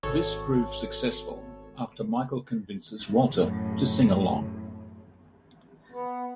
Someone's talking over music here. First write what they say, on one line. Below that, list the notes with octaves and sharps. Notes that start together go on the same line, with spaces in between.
This proves successful after Micheal convinces Walter to sing along.
G#1 A4 C#5
F#2 A2
B3